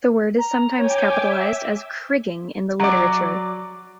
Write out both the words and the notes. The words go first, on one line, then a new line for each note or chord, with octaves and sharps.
The word is sometimes capitalized as "Kriging" in the literature.
A#5
C#5 G5 G#5 D6
E5
F#3 D5